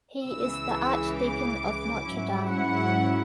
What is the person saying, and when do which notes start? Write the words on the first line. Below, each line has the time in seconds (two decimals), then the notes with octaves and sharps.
He is the Archdeacon of Notre Dame.
0.24 C#2 C#3 E3 E6
1.13 D6
2.03 G#2 F#3 C#4 E4
2.48 F#5